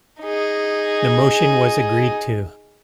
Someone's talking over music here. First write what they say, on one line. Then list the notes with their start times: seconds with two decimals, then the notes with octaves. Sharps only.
The motion was agreed to.
0.22 D#4 G#4